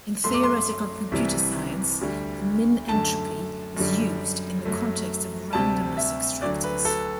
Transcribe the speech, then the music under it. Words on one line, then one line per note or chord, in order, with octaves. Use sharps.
In theoretical computer science, the min-entropy is used in the context of randomness extractors.
F#2 F#3 A3 C6
D6
C6
C2 C3 E3 G3
D2 D3 G3
F#2 D3 A3 A5
F#2 D3 G3
F#2 F#3 A3
D2 C3 G3 A5
E5
D2 D3 F#3 D5
B4
A4